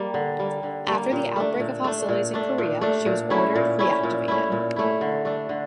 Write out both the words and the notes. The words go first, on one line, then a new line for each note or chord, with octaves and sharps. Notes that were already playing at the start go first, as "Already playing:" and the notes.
After the outbreak of hostilities in Korea, she was ordered reactivated.
Already playing: G3 A#3
D3
G3 A#3
D3
G3 A#3
A#2
A3 D4
A#2
A3 D4
A#2
A3 D4
A#2
A3 D4
A#2
A3 C#4 E4
A#2
A3 C#4 E4
A#2
A3 C#4 E4
A#2
A3 C#4 E4
D3
A3 D4
D3